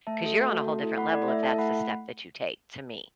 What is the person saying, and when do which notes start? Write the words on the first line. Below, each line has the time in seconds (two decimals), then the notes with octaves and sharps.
'cause you're on a whole different level if that's the step that you take, to me.
0.07 A3 E5 A5
0.23 F#4 A4
0.37 A3
0.52 F#4 A4
0.68 A3
0.83 E4 A4
0.97 A3 F#5 B5
1.12 E4 A4 D5
1.27 A3 E5
1.43 E4 A4 E5 A5
1.58 A3 F#5 B5